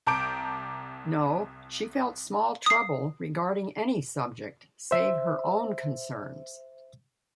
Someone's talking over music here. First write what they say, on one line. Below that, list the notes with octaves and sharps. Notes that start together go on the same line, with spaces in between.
No, she felt small trouble regarding any subject, save her own concerns.
C2 A5 A#5 D6 G6 D7
D#6 C7
C5 E5